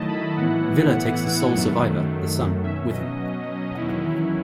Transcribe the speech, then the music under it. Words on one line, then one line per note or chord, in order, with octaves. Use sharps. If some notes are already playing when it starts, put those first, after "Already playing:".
Villa takes the sole survivor, the son, with him.
Already playing: D#3 F#3 A3 E4 D#5 A5
B5
A2 E3 B3 E4 F#5
F#5
F#2 D#3 F#3 A3
B2 F#3 C#4 E5
D#5
E2 D#3 F#3 C#4 E4